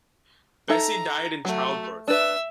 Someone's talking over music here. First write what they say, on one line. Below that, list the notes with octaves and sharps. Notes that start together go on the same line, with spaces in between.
Bessie died in childbirth.
D#4 A4 E5 A#5
F#3 A3
D4 B4 E5 E6